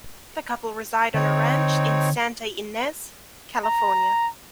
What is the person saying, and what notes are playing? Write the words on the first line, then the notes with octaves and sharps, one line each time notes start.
The couple reside on a ranch in Santa Ynez, California.
D3 C4 D#4 C#5
A#5